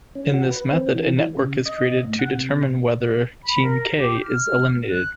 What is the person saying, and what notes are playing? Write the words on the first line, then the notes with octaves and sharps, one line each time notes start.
In this method a network is created to determine whether team "k" is eliminated.
C#4
F#4
B4
C4
E3
C#3
D#5
A2
F#5
C3
B5
A#4
G4
F6
F#6